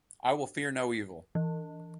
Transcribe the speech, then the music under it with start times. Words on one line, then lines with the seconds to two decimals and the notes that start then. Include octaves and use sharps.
I will fear no evil.
1.35 E3